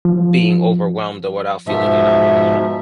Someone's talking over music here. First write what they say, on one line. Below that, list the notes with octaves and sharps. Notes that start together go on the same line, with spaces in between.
being overwhelmed or without feeling, like, you're not doing enough.
F3
G#2 B2 F3 E5